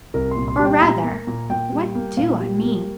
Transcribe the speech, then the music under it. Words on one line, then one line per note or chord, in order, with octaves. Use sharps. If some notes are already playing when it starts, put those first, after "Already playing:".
Or, rather, what do I mean?
C2 A#4
C6
A#2
C6
G3
G5
A#2 A#5
A#3
A#2
A#2 G5
G3
A#3
A#2 F5
G3
A#3